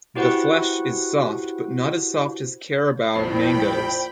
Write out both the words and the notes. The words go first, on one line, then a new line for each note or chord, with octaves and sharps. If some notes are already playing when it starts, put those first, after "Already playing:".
The flesh is soft but not as soft as Carabao mangoes.
E4 F#4 G4 B4 C5 F#5
A#1 F2 A#2 E3 C5 G5 B5 C7